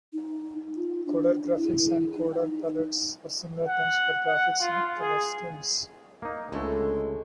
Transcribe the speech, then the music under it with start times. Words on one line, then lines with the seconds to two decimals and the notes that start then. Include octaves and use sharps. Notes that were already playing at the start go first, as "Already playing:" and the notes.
"Coder graphics" and "coder palettes" are similar terms for graphics and color schemes.
0.13 D#4
0.76 F4
1.06 D4
1.56 E4
2.16 D#4
3.67 F#5
4.26 F#5
4.60 F4
4.98 G#4
6.22 A#3 D#4
6.52 C#2 D3 G#3 A3